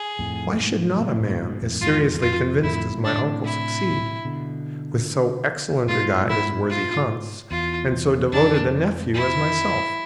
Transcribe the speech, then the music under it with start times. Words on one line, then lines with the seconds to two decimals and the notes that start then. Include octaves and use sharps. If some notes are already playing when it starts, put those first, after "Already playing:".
Why should not a man as seriously convinced as my uncle, succeed, with so excellent a guide as worthy Hans, and so devoted a nephew as myself?
Already playing: G#4
0.19 F2 A2
0.59 G#2 B2
1.00 A2 C3
1.20 A2 C3
1.41 G#2 B2
1.61 F2 A2
1.81 E2 G#2 F4
2.15 G#2
2.22 F2 F4
2.62 F2 A2 E4
2.90 G#2 B2
3.04 D3 D4
3.17 A2 C3
3.45 E4
4.25 B2 D3
5.88 G#2 B2 F4
6.29 E4
6.70 F4
7.51 E2 F4
7.91 E2
8.32 F2 D4
9.14 E4